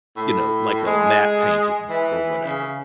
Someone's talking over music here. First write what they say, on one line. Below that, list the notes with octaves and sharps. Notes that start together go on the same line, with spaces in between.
you know, like a matte painting or whatever,
A2
G#3
E3
C#3